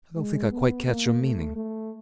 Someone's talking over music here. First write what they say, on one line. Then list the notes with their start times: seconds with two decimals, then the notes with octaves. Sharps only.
I don't think I quite catch your meaning.
0.16 G#3
0.51 B3
0.86 A#3
1.21 A3
1.56 A3